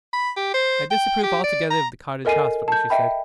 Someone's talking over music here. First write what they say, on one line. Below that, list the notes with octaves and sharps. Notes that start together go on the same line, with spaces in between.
"I disapprove altogether of the cottage hospital," she said.
B5
G4
C5
G5
G4
D5
A#5
A4 A#4 D#5 G#5 C7 D#7
A5 G6
D#5 E5 G5 B5